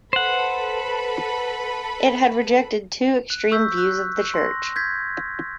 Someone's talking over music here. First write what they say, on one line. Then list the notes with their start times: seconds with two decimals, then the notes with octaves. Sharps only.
It had rejected two extreme views of the Church.
0.13 A4 B4 C5 F#5 B5
3.30 F#6
3.51 C#6 E6 G6 B6
3.78 F#6
4.34 C6 A#6
4.76 G6 G#6 B6